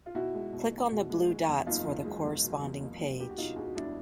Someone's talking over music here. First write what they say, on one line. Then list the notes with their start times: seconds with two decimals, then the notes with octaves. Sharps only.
Click on the blue dots for the corresponding page.
0.06 F4
0.15 B2 E4 F#4
0.34 G#3
0.53 B2
0.71 F#1
0.91 B2
1.10 G#3
1.28 G#3
1.48 E2
1.66 F#1 D#4 F4
1.86 E2
2.05 G#3
2.24 E2
2.43 B2
2.61 E2
2.80 F#1
2.99 F#1
3.19 D2 G4
3.30 F#4
3.37 E1 D#4 F4
3.56 D2 F#4 G#4
3.75 E1 D4 E4